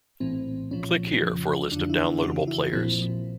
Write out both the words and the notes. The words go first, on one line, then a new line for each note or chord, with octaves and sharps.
Click here for a list of downloadable players.
A#1 A2 E3 C4
C2 A#2 F3 C#4
F2 C#3 F3
F2 D3 F3 D4
E4
E4
F2 C#3 E3 F#4
E4
A#1 A#2 F3 C4